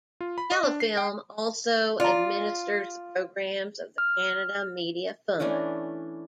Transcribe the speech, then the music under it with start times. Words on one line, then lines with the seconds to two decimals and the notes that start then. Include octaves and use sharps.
Telefilm also administers the programs of the Canada Media Fund.
0.21 F4
0.38 B5
0.52 D#5
0.63 D4
0.80 C7
0.97 G5
2.00 F4 D5 A#5
3.98 F6
5.40 E3 A3 C#4 D4